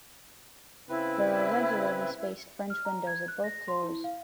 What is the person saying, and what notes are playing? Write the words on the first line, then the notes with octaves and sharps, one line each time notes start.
There are regularly spaced French windows at both floors.
C#3 C4 E4 B4
F6
A#5
G#6
F#6
A#6
C6
E4
F5